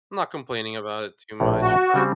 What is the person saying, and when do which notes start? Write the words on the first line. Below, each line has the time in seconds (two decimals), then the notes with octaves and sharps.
I'm not complaining about it too much, but,
1.40 A#1 A2
1.62 F#4
1.94 C#3 G3 C4